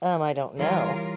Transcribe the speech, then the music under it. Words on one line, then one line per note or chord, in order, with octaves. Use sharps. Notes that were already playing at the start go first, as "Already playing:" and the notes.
Um, I don't know.
E3 G3 F4 A#4 C#5